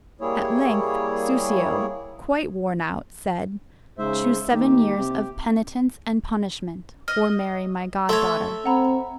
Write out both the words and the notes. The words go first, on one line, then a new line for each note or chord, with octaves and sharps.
At length, Soussio, quite worn out, said, "Choose seven years of penitence and punishment, or marry my goddaughter."
G3 A#3 E4 G#4 C#5
G#2 C#3 C5 E5
D#2 G4
C3
D#5 F6
A3 C#5 E5 C6
C4 F#5 A#5 B5